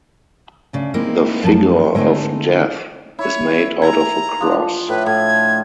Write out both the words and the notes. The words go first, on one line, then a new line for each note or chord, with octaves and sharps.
The figure of Death is made out of a cross.
D2 C#3 D4
G#3 A#3 C4 D#4 E4
F#2 F3 A5
D3 G#3 A3 C4 D#4
E4 C#5
G#5 A#5
F3 D4
A2 B4
A2 G#6